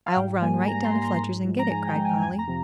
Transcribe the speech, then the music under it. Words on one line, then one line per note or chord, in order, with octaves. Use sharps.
"I'll run right down to Fletcher's and get it," cried Polly.
F5
G#2 G5
G3 A#3 G#5
G#2 A#5
C6
G3 A#3
A#5
G#2
F3 G#3
A#5
G#2 G#5
G5
F3 G#3
G#5
F2 G#5
A#5
C3 F3